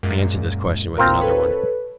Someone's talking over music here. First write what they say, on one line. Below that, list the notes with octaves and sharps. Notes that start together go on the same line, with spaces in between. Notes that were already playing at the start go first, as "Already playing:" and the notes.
I answered this question with another one.
F#2 A#2 G#3
A1 A#2 C4 F4 A#4 A#5
A4 B4 C#5